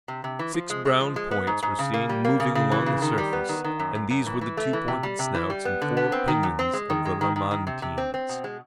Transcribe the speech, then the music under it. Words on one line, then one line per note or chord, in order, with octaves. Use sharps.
Six brown points were seen moving along the surface, and these were the two pointed snouts and four pinions of the lamantins.
C3
C3
E3
F3
G#3
G#3
F3
G#3
B3
G#2
G#2
C#3
A#3
G3
A#3
C#3
C#3
E3
C#3
D#3
G3
B3
D#3
D#3
F#2
F#2
F#2
E3
E3
A3
E3
C3
G3
C3
E3
G3
B3
D3
B3
C4
D#3
F#2
C4
G#3
D#3
G#3
D#3
D#3
D#3
C3
C3
C4
C4
B2
G#3